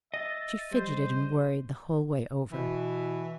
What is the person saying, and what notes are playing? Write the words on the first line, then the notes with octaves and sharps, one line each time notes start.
She fidgeted and worried the whole way over.
D#5 E5 A6
G3 C5
B2 E3